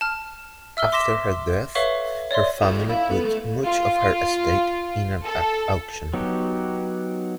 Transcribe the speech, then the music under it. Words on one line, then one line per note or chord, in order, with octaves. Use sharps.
After her death, her family put much of her estate in an auction.
A5 F6
E5 E6 F6 G7
C6 D6 A#6 B6 E7 G7
A4 B4 C#5 E5 F5 C#6
C#5 D5 E5 C6
F4 A4
E4 F5 B5 E6
B3 A4
A3
F4
A4
F#3 B3 D#4 F#4 G4